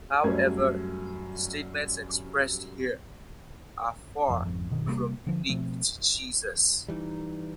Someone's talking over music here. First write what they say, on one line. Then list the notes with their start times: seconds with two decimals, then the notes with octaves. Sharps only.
However, the statements expressed here are far from unique to Jesus.
0.24 F#2 G3 A3 G#6
4.28 G1 F2
4.45 G#1 F2
4.70 G1 B2 D#3
4.87 C3 G3 A#3
5.27 D3 F3
5.49 B2 F3 A3 C4
6.88 E3 G3 D#4